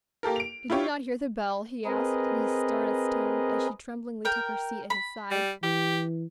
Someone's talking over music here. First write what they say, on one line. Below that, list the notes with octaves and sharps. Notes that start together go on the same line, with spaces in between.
"Did you not hear the bell?" he asked, in his sternest tone, as she tremblingly took her seat at his side.
A#3 G4 A4 A#4
D7 F7
E4 F4 G4 C#5
C4 G#4 A#4 B4 D#5
A#4 G5
B5
G3
E3 G4